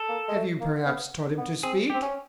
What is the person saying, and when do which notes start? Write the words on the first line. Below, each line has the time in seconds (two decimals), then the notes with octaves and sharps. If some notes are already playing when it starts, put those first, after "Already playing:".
"Have you perhaps taught him to speak?"
Already playing: A4
0.09 A#3
0.28 G#3
0.35 A3
0.61 A#3
0.86 B3
1.38 B3
1.63 C4 G#4
1.90 G4
1.94 C4
2.02 C#4